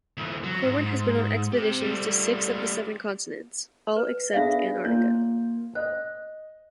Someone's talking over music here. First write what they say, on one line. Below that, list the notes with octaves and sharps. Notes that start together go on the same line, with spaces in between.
Corwin has been on expeditions to six of the seven continents-all except Antarctica.
D2 E3
F#3
G#2
C4 G4
G3 A3
B4
B3 D4 G#4 E5 F5
A#3 F4 C#5
C5 D#5